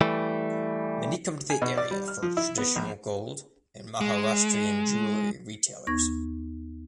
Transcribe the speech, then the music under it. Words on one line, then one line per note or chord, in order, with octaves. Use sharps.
Many come to the area for its traditional gold and Maharashtrian jewelry retailers.
E3 G3 A3
G#5
B2
D5
G3
F6
F3
E4
B3
A#1
G#3
D#2 B3 D#4 C#6 G#6 A#6